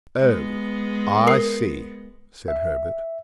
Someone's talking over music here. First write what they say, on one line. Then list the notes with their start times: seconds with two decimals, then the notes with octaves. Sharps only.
"Oh, I see," said Herbert.
0.18 G#3 B3
1.27 A#4 D#6 C7
2.48 E5